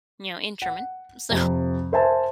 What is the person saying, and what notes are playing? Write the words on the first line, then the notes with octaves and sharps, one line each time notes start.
you know, in German. So,
F#5
F2 C3
A#4 C5 E5 G#5 A5